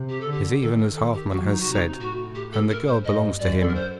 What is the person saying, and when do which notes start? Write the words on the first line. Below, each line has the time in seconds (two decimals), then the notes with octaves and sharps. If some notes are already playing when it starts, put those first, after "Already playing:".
'It is even as Halfman has said, and the girl belongs to him.'
Already playing: C3
0.09 G4
0.20 A4
0.27 D3
0.32 G4
0.61 D#3 A4
0.78 A#4
0.95 D#3 A4
1.13 G4
1.31 F#3 F#4
1.48 D#4
1.60 F#4
1.65 C3
1.72 D#4
2.00 A2 F#4
2.35 G4
2.52 A4
2.70 A#4
2.87 C5
3.04 G2 D#5
3.39 F#2 D5
3.60 A4
3.67 A#4
3.75 C5